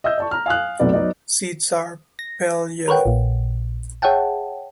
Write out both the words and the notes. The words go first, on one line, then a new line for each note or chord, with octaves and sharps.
Seeds are pale yellow.
D#5 E5 E6 G6
D5 A5 C#6
A#5 F6
F5 G#5 D#6 F6 F#6
B1 C3 F#3 A3 B3 D5
F#3 B3 D#4 D5
A#6
A#4 B4 C#5 F#5 G5
A#1 A#2
G#4 C#5 E5 F#5 G5 A5